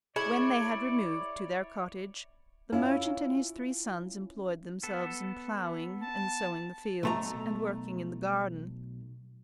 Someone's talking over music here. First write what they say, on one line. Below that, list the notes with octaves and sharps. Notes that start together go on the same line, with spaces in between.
When they had removed to their cottage, the merchant and his three sons employed themselves in ploughing and sowing the fields, and working in the garden.
E4 G#4 C#5 D5
C#4 E4 F4
B3 A4
A5
B1 A3 A#5